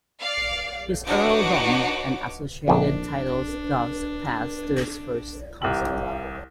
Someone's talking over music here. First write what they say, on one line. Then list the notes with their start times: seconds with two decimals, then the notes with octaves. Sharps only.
His earldom and associated titles thus passed to his first cousin.
0.21 D5 F5
1.07 D4 D#4 F#4 B4 C#5 D6
2.68 A#1 F2 D4
5.62 C2 G4 F#7